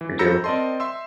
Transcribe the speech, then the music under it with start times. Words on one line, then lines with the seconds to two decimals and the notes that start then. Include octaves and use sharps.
We do.
0.01 E3
0.19 A#5 B5 E6 G6 A#6 C#7
0.44 C4 A#4 D5 D#5 A5 C6
0.80 E5 C6 E6